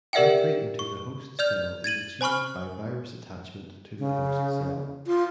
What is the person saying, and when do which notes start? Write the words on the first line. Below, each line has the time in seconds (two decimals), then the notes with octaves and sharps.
Entry into the host cell is achieved by virus attachment to the host cell.
0.13 G4 A#4 D5 E5 F#5 G5
0.79 C#6
1.39 D5 F6 G6 F7
1.84 G#6 A6 D#7 F#7
2.21 C5 G#5 B5 C#6 F6
3.98 C#3
5.07 F4